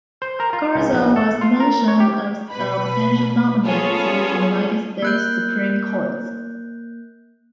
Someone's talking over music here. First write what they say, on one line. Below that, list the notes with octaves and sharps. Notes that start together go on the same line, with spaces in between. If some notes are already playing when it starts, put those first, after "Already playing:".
Garza was mentioned as a potential nominee to the United States Supreme Court.
C5
A#4
F4
C#2
A#1
A4
F4
A#4
C#5
G4
B2 B4 B5
B3 C#4 F4 G#4 A4 C#5
A#3 F#6 G6